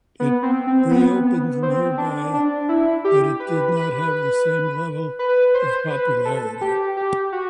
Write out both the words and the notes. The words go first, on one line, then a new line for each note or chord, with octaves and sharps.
It reopened nearby but it did not have the same level of popularity.
B3
C4
C4
B3
B3
C4
D4
D4
E4
G4
B4
B4
B4
C5
B4
A4
G4
G4
F#4